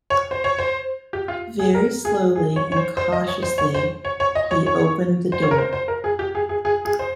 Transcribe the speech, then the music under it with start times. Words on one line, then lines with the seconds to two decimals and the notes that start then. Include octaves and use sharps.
Very slowly and cautiously he opened the door.
0.10 C#5
0.31 C5
0.44 C#5
0.58 C5
1.13 G4
1.28 F4
1.59 G#4
1.75 A#4
2.05 G#4
2.36 G#4
2.56 C#5
2.72 C#5
2.76 C5
2.97 C5
3.12 D#5
3.28 C#5
3.43 C5
3.58 C#5
3.74 C5
4.05 C#5
4.20 C#5
4.35 D#5
4.51 C#5
4.66 C#5
5.32 C5
5.42 C#5
5.51 A#4
5.58 C5
5.73 C5
5.88 A#4
6.04 G#4
6.19 G4
6.35 G#4
6.49 G#4
6.65 G#4
6.85 G#4
6.99 C5